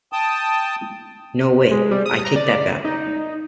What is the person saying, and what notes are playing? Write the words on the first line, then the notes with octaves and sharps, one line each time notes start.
No, wait: I take that back.
G5 A5 D#6
G#3
G3
D#6
A#5
D5
D#4